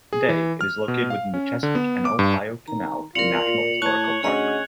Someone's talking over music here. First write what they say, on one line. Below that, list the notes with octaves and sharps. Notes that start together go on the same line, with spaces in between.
Today, it is located within the Chesapeake and Ohio Canal National Historical Park.
G#4
E3
F6
B2
F5
C#4
D3
B3
D6
G2
D#3 A#5
C2 F4 A#4 D5 C#7 F7 F#7
A#2
A2 C#5 A5 C#6 F#6 G#6
D2 C#4 G#4 D#5 F#5